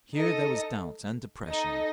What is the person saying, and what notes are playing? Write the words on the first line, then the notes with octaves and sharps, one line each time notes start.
Here there was doubt and depression.
D#4 A4 D#5
D#4 A4 D#5